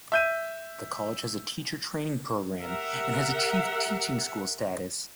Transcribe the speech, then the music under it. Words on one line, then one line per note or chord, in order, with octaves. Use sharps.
The College has a teacher training programme and has achieved Teaching School status.
E5 G6 D#7
G4 A#4 E5 F#5